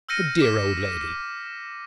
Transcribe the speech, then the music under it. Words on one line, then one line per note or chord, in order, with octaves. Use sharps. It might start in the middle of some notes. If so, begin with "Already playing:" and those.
The dear old lady!
E6 F6 G6 A#6 C#7 D#7
D6 B6 E7